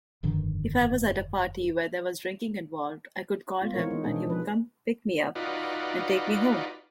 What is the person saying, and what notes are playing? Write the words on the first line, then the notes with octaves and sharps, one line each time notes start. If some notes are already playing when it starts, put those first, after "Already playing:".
If I was at a party where there was drinking involved, I could call him and he would come pick me up and take me home.
F1 G2 D3 D#3
B3 F4
E3 G#3 C4 F4 A#4 C#5
D#4
B2 G#3 C4 D4 G#4
F3 B4
D#4 F4 F#4 B4 D5